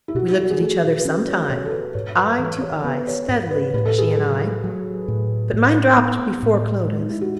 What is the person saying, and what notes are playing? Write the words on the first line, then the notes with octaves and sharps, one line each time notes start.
We looked at each other some time--eye to eye, steadily, she and I: but mine dropped before Clodagh's.
E4
B2 F#4
E4
F#4
G#4
A3 A4
C#4 B4
C#5
B2 C#5
A4
B4
G#2 C#5
B4
E3 A4
C#5
B3 B4
C#5
G#2
B4
A2 B4
A4
G#4
A4
F#3
F#3
A2
A2
B3
A2
G#3
D#4
E4
F#4